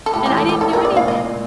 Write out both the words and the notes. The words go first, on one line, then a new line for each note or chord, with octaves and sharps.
And I didn't do anything.
A4
A2 G4
G4
A1
A4
A1 G4
A#1 A4
A#4
A#1
D5
A#2 F5
A#2 D#5
A#2